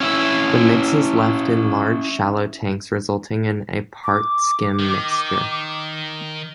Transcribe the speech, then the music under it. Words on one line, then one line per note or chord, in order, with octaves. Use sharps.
The mix is left in large shallow tanks resulting in a part skim mixture.
C#4 E4 E5
D6
D#3